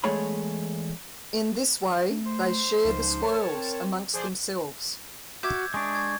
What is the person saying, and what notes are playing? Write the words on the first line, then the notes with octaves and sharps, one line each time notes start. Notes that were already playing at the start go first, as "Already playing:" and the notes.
In this way, they "share the spoils" among themselves.
E2 G#3 A3 G#4 C#5 B5
A3
C5
C#2 F3 D#4
A#4 C#5 A5
C4
F3 G#4 C5 D5 D6
F#4 E5 D6 G6 G#6
G#3 D4 C#6
G#6